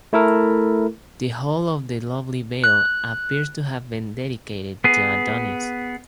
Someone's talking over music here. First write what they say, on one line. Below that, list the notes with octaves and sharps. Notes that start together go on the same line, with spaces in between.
The whole of the lovely vale appears to have been dedicated to Adonis.
A3 E4 A4 A#4
F#6
B3 G#4